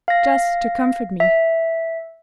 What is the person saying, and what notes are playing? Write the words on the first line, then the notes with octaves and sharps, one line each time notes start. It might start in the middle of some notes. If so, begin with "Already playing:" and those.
Just to comfort me.
F5 A#6
E5